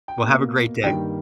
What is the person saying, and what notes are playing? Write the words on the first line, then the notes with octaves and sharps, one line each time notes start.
Well, have a great day.
G5
B2 A#3
G2 D#3 G3 A#3 G5